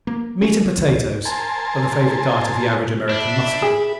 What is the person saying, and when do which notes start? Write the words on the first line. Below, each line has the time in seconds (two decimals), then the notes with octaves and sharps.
"Meat and potatoes" are the favorite diet of the average American Muscular.
0.07 A#3
0.42 C#4
0.78 C#2
1.25 A#4 C5 G#5 A5
3.09 D4 E5 B5
3.62 G#4